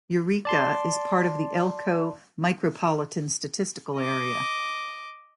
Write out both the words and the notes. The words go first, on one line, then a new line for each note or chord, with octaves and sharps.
Eureka is part of the Elko Micropolitan Statistical Area.
D5 A5 C6
D#5 D6